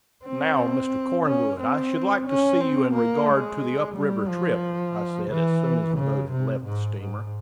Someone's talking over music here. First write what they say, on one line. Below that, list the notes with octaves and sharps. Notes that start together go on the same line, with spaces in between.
"Now, Mr. Cornwood, I should like to see you in regard to the up-river trip," I said, as soon as the boat had left the steamer.
C4
C#4
C4
C#4
C4
A#3
G#3
G3
F3
E3
C#3
C3
G#2
G#2